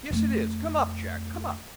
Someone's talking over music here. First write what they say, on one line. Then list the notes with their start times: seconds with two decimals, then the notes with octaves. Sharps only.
Yes, it is. Come up, Jack; come up.'
0.11 F2 A3